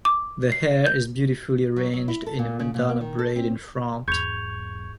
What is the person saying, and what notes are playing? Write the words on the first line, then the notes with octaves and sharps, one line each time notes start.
The hair is beautifully arranged in a Madonna braid in front.
D6
C7
G6
F#3
F#3
E4
A4
A#2
C#3
A#2
A#3
D#3
A4
C4
E2 G#2 F#3 C#6 G6 G#6 F7